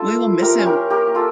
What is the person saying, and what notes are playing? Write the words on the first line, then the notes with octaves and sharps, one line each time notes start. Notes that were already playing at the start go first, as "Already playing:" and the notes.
We will miss him!
Already playing: E4 F4 A4
A#3
E4
F3 G4 A#4
C#4
G4 A#4
C#4
A#3 G4 A#4
A#3
F4 A4